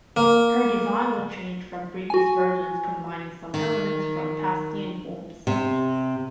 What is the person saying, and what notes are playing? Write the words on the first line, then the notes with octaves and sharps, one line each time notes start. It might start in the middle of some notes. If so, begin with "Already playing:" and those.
Her design was changed from previous versions, combining some elements from past uniforms.
A#3
F#4 G#5
D#3
C3